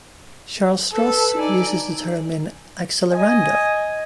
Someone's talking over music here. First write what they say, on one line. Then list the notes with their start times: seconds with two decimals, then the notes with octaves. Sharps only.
Charles Stross uses the term in "Accelerando".
0.93 A4 B4
1.37 D#4 D5 G#5
3.12 D#5 G#5